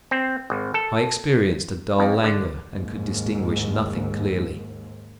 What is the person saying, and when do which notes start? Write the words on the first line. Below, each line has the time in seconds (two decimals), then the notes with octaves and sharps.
I experienced a dull languor and could distinguish nothing clearly.
0.11 C4
0.50 G#1
0.74 A4
1.99 F2
2.24 D3
2.72 D#2 G#2